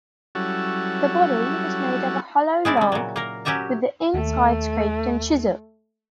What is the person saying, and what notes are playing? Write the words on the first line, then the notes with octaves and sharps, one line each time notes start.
The body is made of a hollow log, with the inside scraped and chiseled.
F#3 G3 C#4 E4 F#4 A4
G#3 C4 E4 D5
C#3 G3
A#2 F#3
A#3 A#4
F#3 C#4 G4 E5 A#5
D#2 A3